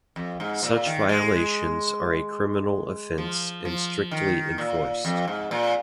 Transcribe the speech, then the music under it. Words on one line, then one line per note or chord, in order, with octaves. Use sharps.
Such violations are a criminal offense and strictly enforced.
F2
G#2
A#2
D#3
G#3
F3
F3
D#3
A#2
F2
G#2
A#2